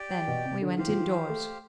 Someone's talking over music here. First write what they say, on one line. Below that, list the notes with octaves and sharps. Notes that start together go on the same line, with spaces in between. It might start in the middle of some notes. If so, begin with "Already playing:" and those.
Then we went indoors.
Already playing: G4 D5 G5
B2
C3
D3
E3 G4 C5 F5
F3
E3
A3